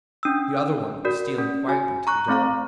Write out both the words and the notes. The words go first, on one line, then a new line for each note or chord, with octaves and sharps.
The other one was stealing quietly to the door.
C#4 D4 E6
F#4 A#4 D5
C#4
F#4 G#5
A#5 C#6 F#6
A3 C4 F5 A#5